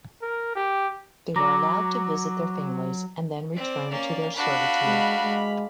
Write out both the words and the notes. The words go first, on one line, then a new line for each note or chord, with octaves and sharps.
They were allowed to visit their families and then return to their servitude.
A#4
G4
F#3 A#5 D6 A#6
C4 D5
A#3 C#4
D4 F#4 F5 B5
G#3
G#3